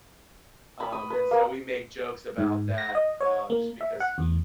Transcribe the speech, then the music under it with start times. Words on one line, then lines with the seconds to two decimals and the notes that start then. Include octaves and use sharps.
um, and so we make jokes about that, uh, just because he
0.80 B5
0.92 D#6
1.10 B4
1.31 A#3
2.38 G#2
2.78 A#6
2.95 D#5
3.20 C#5
3.50 A#3
3.81 E5
4.00 F#5
4.18 E2